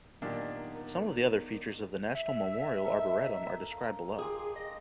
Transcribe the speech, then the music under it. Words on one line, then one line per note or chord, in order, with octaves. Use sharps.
Some of the other features of the National Memorial Arboretum are described below.
A#2 D#3 F#3 B3 D4 D#4 G4 A#4
E5
D#4 A4 A#4
F5
F4 G4 G#4 C6
D#5